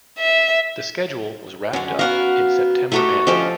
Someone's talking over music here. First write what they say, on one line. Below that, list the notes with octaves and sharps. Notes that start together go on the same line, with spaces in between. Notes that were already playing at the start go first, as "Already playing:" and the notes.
The schedule was wrapped up in September end.
E5
F#2 D3 C#4
B3 F#4 A#4 F5
A3 D#4 F#4 G4 A4 E5
D3 F3 C#4 G4 A4 D#5